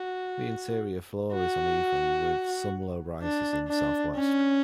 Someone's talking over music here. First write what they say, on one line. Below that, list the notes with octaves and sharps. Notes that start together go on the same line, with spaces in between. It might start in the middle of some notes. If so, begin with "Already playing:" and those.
The interior floor is uneven, with some low rises in the southwest.
Already playing: F#4
F#4
D4
D4
C#4